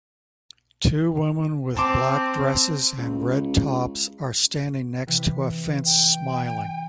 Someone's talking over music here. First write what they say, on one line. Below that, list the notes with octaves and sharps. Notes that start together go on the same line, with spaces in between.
Two women with black dresses and red tops are standing next to a fence smiling.
C4 A5 C6 D6
C#2
C3 E3 B6
G5